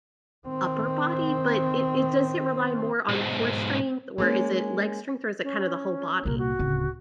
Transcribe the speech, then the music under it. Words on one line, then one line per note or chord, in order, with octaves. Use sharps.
upper body, but it it does it rely more on core strength, or is it leg strength, or is it kinda the whole body?
D#3 C4
B1 G#2
G#3 A#3 C#4
C#4
C2 A#2 A#4
F#4
D1 C#3